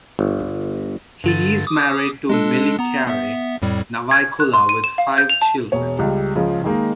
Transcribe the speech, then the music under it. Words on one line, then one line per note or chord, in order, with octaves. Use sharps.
He is married to Miliakere Nawaikula with five children.
G1
G2 D3 A6
D6 D#6
G#3 D4 A4
B3 A#5
B3 E5
F2 A2 G3
G#6
F#6
C6
D#7
E7
F5
G6
F7
A5
E1 C#5
C#2 G3
C#2 C#3 F3
D#3 G#3 A#3 D#4